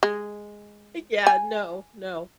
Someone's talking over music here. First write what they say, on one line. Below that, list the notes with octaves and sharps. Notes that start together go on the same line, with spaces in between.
Yeah, no, no.
G#3
G#5